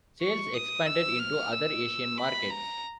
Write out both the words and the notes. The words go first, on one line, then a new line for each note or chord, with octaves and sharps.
Sales expanded into other Asian markets.
C#6
D#6
E6
F6
E6
B5
A#5